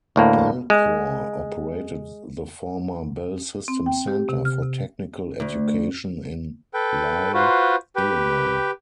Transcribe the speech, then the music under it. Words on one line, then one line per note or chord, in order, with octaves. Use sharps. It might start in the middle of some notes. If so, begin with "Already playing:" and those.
Bellcore operated the former Bell System Center for Technical Education in Lisle, Illinois.
D2 A2 A#3
G#3
C4
G5
G4
C3
F6
C3
D2
A4 B4 G5
F4 F#4 B4 C5
G4 B4 G5